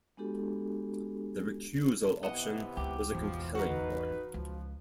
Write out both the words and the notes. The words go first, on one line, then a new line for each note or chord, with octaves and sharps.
The recusal option was a compelling one.
G#3 B3 D4 F#4 G4 A4
C3 E3 B3 D#5 F#5
C#2 G4
G#1 E2 B2 F3
D#4 F#4 B4 F5 A#5
C#2 F3